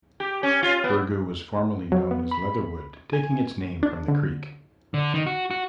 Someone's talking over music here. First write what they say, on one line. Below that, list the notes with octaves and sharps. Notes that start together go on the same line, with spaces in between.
Bergoo was formerly known as Leatherwood, taking its name from the creek.
G4
C#4
F4
B3
F#3
B3
B5
G#5
D4
D3
D3
D#3
F#4
F#4